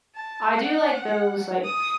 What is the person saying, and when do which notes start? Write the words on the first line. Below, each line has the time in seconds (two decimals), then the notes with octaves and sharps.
I do like those, like,
0.15 A5
0.54 F#5
1.64 D#6